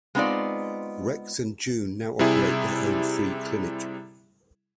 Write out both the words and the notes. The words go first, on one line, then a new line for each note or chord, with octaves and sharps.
Rex and June now operate their own free clinic.
G#3 B3 C4 D#4 F4 D5
C3 G3 E4 G#4